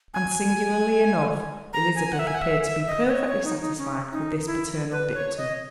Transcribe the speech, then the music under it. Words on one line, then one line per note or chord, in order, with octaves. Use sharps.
And singularly enough, Elizabeth appeared to be perfectly satisfied with this paternal dictum.
G#5
A#5
G#5
F#5
E5
G#5
F#5
E5
E5
D#5
B4
C#5
C#5
D#4
D#4
C#4
D#4
E4
B4
C#5
D#5